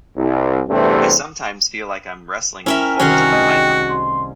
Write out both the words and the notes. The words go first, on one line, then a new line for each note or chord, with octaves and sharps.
I sometimes feel like I'm wrestling in the folds of a python.
C2
E2 G2 C3 A3 C4
C#4 E4 A#4 E5 G5
C2 D#3 C#4 F#4 G#4 A#4
A3 D#5
C6